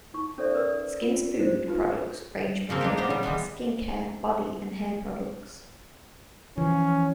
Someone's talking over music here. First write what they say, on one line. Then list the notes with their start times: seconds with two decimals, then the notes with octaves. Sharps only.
Skin Food's products range from makeup, skin care, body and hair products.
0.14 D#4 C#6
0.38 C#4 A4 C5 D5 E5
0.55 A#4 B4 D5 D#6 E6
1.02 F4
1.40 C5
1.67 D#4 F4 G4 B4 F5
2.69 C#3 F3 A#3 C4
2.81 D4 D#4 G4
2.97 A#2 B3 G4 C5 A#5
3.10 G3
3.23 E3 G3 G#3 B3
6.58 E3 F3 C#4